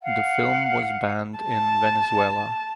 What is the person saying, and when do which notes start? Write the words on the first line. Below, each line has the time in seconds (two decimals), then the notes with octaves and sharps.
The film was banned in Venezuela.
0.03 F5 F#5
1.39 A5